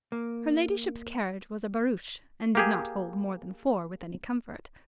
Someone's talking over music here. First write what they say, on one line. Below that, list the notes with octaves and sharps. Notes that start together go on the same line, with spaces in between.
Her ladyship's carriage was a barouche, and did not hold more than four with any comfort.
A#3
A#3 G4 G#4